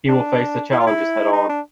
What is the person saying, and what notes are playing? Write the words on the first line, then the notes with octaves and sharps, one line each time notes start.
We will face the challenges head-on.
D4
E4
F4
E4
D#4
D4